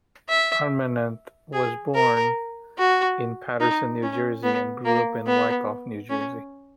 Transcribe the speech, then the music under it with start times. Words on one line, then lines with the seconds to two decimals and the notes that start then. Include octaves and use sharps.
Armenante was born in Paterson, New Jersey, and grew up in Wyckoff, New Jersey.
0.29 E5
1.53 G#4
1.95 A#4
2.78 F#4
3.60 D#4
4.02 C#4
4.44 B3
4.85 A#3
5.27 B3
6.10 C#4